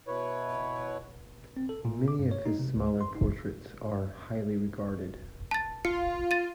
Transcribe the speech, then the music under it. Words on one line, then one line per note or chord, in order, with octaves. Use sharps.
Many of his smaller portraits are highly regarded.
B2 E4 B4 C#5
C4
A4
A#2
D6
G2
C#5
D#4
C3
C#2
G#2
C6
D#4
A5 A6
F4 C#7
A6 D#7